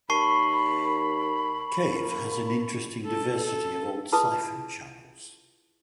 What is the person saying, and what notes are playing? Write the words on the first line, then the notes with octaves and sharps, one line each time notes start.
Cave has an interesting diversity of old siphon channels.
D#2 A5 B5 C#6 C7
A#3
A4
A4
E4 F4 G#4 B4 A5 D#6